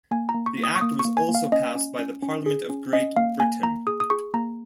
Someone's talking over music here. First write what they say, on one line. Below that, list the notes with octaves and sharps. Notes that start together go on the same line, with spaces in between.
The act was also passed by the Parliament of Great Britain.
A#3 G#5
A#5
A#3
C#6
A#3
D#6
C#6
A#3 D#6
C#6
A#3
G#5
A#3
F5
C#4 D#5
C#4
C#4
C#4
G#4
C#4
C#4 D#5
A#3 F5
A#3 G#5
A#3 A#5
G#4 D#6
D#6
G#4 C#6
A#3 A#5